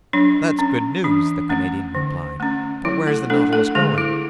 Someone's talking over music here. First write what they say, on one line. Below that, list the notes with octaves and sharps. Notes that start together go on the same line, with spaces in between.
"That's good news," the Canadian replied, "but where's the Nautilus going?"
F#3 D4
C#4
E3 D4
A3 C#4
D3
A3 C#4
F#3 E4
A3 A4
A3 D4 A4
A3 A4
D3 G#3 G#4
E4